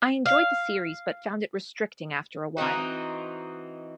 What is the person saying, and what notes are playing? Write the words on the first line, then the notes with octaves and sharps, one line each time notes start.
I enjoyed the series but found it restricting after a while.
F5
E3 C4 D#4 F#4